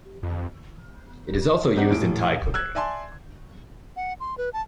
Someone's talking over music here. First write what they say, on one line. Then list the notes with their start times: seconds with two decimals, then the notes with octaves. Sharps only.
It is also used in Thai cooking.
0.23 F2
1.76 C4 D4 D#4 G4 F#5
1.90 D#1 A2 D7
2.54 E6 F#6 G#6
2.75 D5 E5 G#5 A5 C6
3.96 F#5
4.20 C6
4.38 B4
4.53 A5